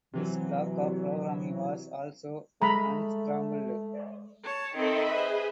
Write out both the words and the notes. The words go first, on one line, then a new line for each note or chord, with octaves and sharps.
This block of programming was also unscrambled.
C3 E3 F#3
G#3 A3 A#5 B5
C#5 A5
D#3 C4 A4 D#5 E5 B5
G#4 B4 C5